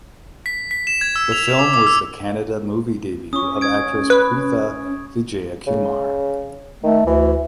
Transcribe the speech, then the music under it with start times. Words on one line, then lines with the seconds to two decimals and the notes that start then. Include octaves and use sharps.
The film was the Kannada movie debut of actress Preetha Vijayakumar.
0.46 B6
0.71 B6
0.87 E7
1.01 G#6
1.16 E6
1.32 F7
1.46 F7
1.59 D6
1.74 D6
1.87 E6
3.33 C#4 C#6 D#6
3.61 D#6 G#6 D7
4.10 B4
5.67 C#3
6.83 D#3 A3
7.07 D2 E3